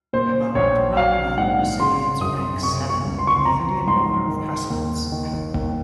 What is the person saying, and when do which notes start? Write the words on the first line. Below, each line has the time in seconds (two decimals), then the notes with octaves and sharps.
Bharat Ratna recipients rank seventh in the Indian order of precedence.
0.13 A#2 C5
0.55 A#1 C#5
0.96 F#3 F5
1.38 G#2 F#5
1.80 C#3 C6
2.20 F#2 D#6
2.63 C3 C#6
2.90 C#6
3.05 C#2
3.19 C6
3.27 C#6
3.36 C6
3.45 F3 A#5
3.87 G#2 C6
4.28 D#3
4.70 D#2
5.12 D#3
5.54 D#2